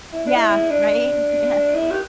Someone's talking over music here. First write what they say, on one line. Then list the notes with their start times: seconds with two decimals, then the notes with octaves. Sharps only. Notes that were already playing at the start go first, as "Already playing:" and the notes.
Yeah. Right, yeah
0.13 E4
0.27 D4
0.35 E4
0.70 D4
1.75 E4
1.91 G4